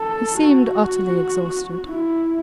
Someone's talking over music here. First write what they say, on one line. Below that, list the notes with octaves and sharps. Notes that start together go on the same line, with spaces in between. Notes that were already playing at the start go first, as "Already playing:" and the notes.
He seemed utterly exhausted.
Already playing: A4
F#4
E4